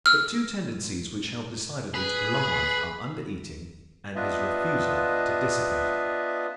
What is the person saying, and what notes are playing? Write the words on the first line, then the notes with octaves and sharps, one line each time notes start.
But two tendencies which help decidedly to prolong life are under-eating and his refusal to dissipate.
E6 F6
G#4 B4 B5
B3 D4 F4 B4 D#5 E5